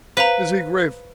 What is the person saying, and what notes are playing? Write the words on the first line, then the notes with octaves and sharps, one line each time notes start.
Is he grateful?
B4 C5 F5 A#5